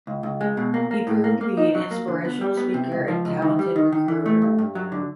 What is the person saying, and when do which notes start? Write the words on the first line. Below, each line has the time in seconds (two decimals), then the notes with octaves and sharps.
He proved to be an inspirational speaker and talented recruiter.
0.07 C#2
0.23 C#2
0.41 G#3
0.57 B2
0.74 A#3
0.91 A#3
1.07 A2
1.24 A#3
1.41 A#3
1.57 D#4
1.75 F#3
1.91 A#3
2.08 D3
2.25 B3
2.41 G3
2.57 B3
2.74 C3
2.92 C#2
3.08 F3
3.25 C#2
3.42 D#3
3.59 G3
3.76 D#3
3.92 D#3
4.08 E3
4.26 A3
4.42 G2
4.59 G2
4.75 F#3
4.92 D3